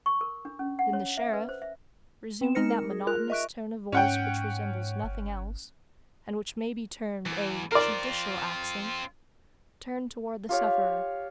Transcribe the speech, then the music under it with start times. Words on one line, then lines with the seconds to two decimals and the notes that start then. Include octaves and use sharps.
Then the sheriff, resuming that monotonous tone of voice which resembles nothing else, and which may be termed a judicial accent, turned towards the sufferer.
0.06 C#6
0.21 A#4
0.45 D4
0.59 C#4
0.79 F#5
0.93 C#5
1.18 E5
1.33 B4
1.49 C5
1.62 E5
2.41 C4 E7
2.55 G#3 D#4 F6 A#6 C#7
2.71 A#4
2.90 G#4
3.07 F4 A#4 F#6 F7
3.30 D#5 E5 C#6 F#6 D7
3.92 G#2 C#4 F#5 G5
5.04 G1
7.26 E2
7.72 C4 F4 A#4 D5
10.49 F4 G4 C#5 F5